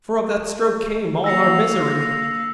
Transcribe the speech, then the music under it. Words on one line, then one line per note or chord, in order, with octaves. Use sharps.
For of that stroke came all our misery.
A#3 F5 E6 A#6 C#7